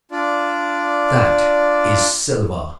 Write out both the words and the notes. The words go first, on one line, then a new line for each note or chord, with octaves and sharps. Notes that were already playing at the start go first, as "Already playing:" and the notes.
That is silver!
D4 F4 D5